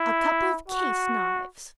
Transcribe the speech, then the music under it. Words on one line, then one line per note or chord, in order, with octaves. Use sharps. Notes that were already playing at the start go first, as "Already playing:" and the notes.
"A couple of case-knives."
Already playing: E4
F#4